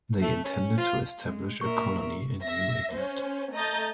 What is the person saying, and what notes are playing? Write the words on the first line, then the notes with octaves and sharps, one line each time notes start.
They intended to establish a colony in New England.
A3
C#4
F4
G#3
A#2 A#4 E5 C#6
E5 A#6
C#4 C5
A3 D#5 A#5 D#6 G6 A6